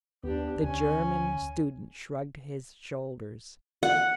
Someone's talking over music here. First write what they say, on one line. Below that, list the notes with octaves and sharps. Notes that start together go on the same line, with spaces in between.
The German student shrugged his shoulders.
D#2 B3 D4 G4
D2 C#4 G#5
F#5